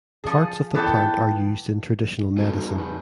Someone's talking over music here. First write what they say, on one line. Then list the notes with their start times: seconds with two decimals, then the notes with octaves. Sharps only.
Parts of the plant are used in traditional medicine.
0.24 F3 G#4
0.75 E3 B3 A4 C5 G5
2.37 G3 D#4 F#4 A4
2.75 F2 B4